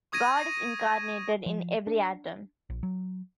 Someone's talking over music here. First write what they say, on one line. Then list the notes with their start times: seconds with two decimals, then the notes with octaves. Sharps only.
God is incarnated in every atom.
0.12 C#6 D#6 G#6 A#6 D#7
1.46 F3
1.87 D4
2.70 A#1
2.83 F#3